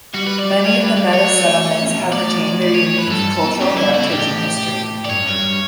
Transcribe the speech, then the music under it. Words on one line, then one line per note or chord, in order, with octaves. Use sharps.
Many of the Metis Settlements have retained their unique cultural heritage and history.
G3 F#4
B4
D5
D5
C#5
B4
D5
F#3 C#5
A3
A3
C#3
B2
A2 D5
D5
C#5
C#5
B4
F#2
G2 A4
B2
C#3 G4
G2 E4
B2
C#3 E4
A4
A2 G4
D5
G2 C#5
F#2
G2
G2